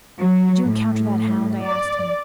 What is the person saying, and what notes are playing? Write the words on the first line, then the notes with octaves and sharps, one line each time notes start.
'Did you encounter that hound?' I asked him.
F#3
A2
D5